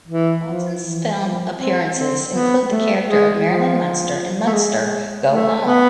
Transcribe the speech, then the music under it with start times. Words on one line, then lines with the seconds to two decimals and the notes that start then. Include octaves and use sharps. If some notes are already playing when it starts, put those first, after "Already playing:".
Watson's film appearances include the character of Marilyn Munster in Munster, Go Home!
0.08 E3
0.45 F3
0.81 E3
1.19 F3
1.56 C4
1.93 C4
2.30 B3
2.68 A3
3.05 G#3
3.42 F3
4.47 A3
4.53 G#3
5.28 A3
5.65 B3